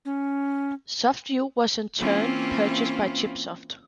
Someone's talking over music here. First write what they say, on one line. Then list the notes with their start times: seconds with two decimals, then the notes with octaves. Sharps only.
SoftView was in turn purchased by ChipSoft.
0.05 C#4
1.98 E3 A#3 C4 C#4 E4 F4